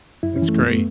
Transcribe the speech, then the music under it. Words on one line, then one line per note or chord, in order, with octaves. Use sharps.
That's great.
F#2 E4
C#4
E3
A3
F#2 B3
A3